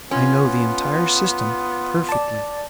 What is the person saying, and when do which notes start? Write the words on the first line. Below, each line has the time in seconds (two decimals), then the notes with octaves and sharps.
I know the entire system perfectly.
0.11 B3 C#4 F4
2.09 D5 A5